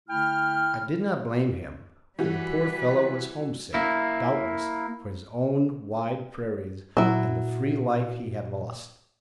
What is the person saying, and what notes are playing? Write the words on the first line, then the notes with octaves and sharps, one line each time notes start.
I did not blame him, for the poor fellow was homesick, doubtless, for his own wide prairies and the free life he had lost.
D3 A3 E4 G5 B5 F6
E3 G3 F#4 B4
A#3 E4
A#2 F#3 E4